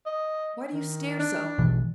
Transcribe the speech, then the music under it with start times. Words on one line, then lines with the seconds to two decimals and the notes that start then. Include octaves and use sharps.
Why do you stare so?
0.06 D#5
0.73 D#3
1.19 D4
1.58 A#1 B2 E3